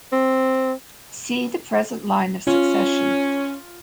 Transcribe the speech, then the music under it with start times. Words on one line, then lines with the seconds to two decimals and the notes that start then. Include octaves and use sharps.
See the present line of succession.
0.12 C4
2.47 C#4 F4